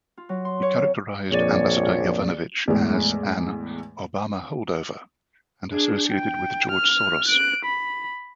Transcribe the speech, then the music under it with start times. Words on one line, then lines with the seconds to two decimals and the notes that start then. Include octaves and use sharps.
He characterized Ambassador Yovanovitch as an "Obama holdover" and associated with George Soros.
0.17 F4
0.29 F#3
0.45 C6
0.62 C#5
0.76 F2
1.31 A#1 F2 A#2 G#4 C#5 D5
2.68 E2 A2 G#3
5.72 D4 G#4
6.08 G5
6.71 F6
7.28 F#6 D7
7.65 B5